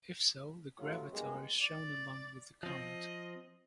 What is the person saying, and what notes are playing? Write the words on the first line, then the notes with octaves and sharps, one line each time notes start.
If so, the Gravatar is shown along with the comment.
A1 A2 F#3 A3 F4 G4
G2 B2 G#3 A#3 G4 G#4
D5
F3 C4 D#5